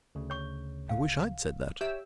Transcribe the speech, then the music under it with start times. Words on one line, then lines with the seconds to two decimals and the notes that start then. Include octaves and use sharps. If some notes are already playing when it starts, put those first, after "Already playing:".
"I wish I'd said that."
0.15 D2 C#3
0.30 C#5 C#6
0.89 F5
1.81 G4 C#5 E5